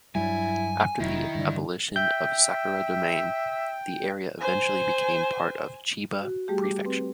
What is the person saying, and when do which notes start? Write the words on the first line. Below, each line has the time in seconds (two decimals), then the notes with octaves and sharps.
After the abolition of Sakura Domain, the area eventually became part of Chiba Prefecture.
0.15 G2 F#3 G3 E4 G#5
1.00 F1 A#2 D#3 F#3 E4
1.35 G2 D3
1.96 E5 G5 G6
4.40 C5 G#5
6.21 F#4
6.48 G3 A3 G4 G#4
6.62 D6
6.85 C4 B4